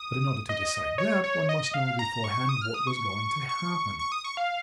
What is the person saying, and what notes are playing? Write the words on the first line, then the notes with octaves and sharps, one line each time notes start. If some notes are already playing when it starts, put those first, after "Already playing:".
But in order to decide that, one must know beforehand what was going to happen.
Already playing: D#6
D#5
C#5
C#5
D#5
F5
A#5
C#6
D#6
F6
D#6
C#6
C#6
C#6
D#6
C#6
F5